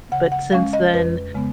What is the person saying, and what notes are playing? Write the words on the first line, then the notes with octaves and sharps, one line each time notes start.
but since then,
C#3 F#5
F#5
G#3 C#4 F5
D#5
F2 B4
C#3 G#3 B3